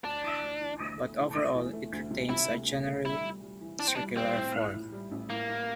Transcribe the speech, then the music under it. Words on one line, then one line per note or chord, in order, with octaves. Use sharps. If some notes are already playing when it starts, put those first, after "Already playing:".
But overall it retains a generally circular form.
D2 D4
E3
D2
E3
D2
A3
E3
A3
E3
A3
D2
C3
C3 E4
A3
D2
A3
G3 E4
G3
G3
E3
E3 D4
C4
D4
G3
G3 C4
A2
A2
A2
G3
A1
A2 A#3
A2